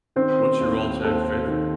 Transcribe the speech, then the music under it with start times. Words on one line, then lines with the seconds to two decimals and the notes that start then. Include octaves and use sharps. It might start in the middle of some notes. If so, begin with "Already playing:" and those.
What's your all-time favorite?
0.16 D#3 C4 C5
0.61 D#2
1.05 D#2 A4
1.48 D#3